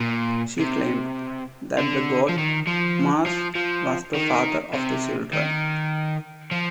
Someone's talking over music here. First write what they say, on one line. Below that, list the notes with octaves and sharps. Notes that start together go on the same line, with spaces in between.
She claimed that the god Mars was the father of the children.
A#2
C3
D3
F3
D#3
F3
F3
F3
D#3
C3
D#3
F3